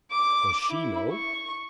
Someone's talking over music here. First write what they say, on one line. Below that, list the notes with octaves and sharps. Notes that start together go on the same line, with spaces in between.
"Does she know?"
D6
E4
C#6